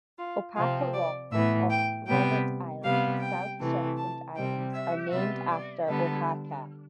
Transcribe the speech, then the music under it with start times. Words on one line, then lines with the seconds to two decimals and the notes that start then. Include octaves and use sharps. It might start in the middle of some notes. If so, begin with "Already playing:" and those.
Opaka Rocks off Robert Island, South Shetland Islands are named after Opaka.
0.18 F4
0.56 C3 F3 C4 F4
0.94 D5
1.32 A2 E3 B3 E5
1.69 G5
2.07 C3 G3 B3 G5
2.84 C3 G3 B3 F5
3.22 G5
3.60 C3 E3 A3
3.97 A5
4.36 C3 G3 C4 G5
4.74 E5
5.11 C3 G3 B3 E5
5.50 D5
5.88 D3 G3 B3 A4